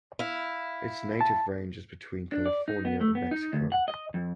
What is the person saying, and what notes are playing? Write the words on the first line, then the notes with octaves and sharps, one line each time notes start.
Its native range is between California and Mexico.
E4 F5
A5
D4
D5
D#4
B3
A3
B3
D#4
D2
F#5
D#5
F2